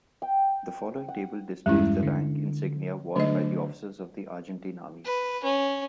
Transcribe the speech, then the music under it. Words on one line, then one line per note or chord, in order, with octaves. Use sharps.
The following table displays the rank insignia worn by officers of the Argentine Army.
G5
F#5
E2 G2 G3 G#3 C#4 E4
D3
D3 F#3 A3 D4 D#5
B4
C#4